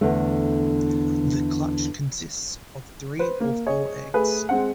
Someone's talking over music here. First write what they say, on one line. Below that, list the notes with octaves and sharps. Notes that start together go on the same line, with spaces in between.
The clutch consists of three or four eggs.
E2 D3 A3
B4 C5
A#3
G#4 C#5 D#5
A3 G#4 B4
G#3 C4 F#5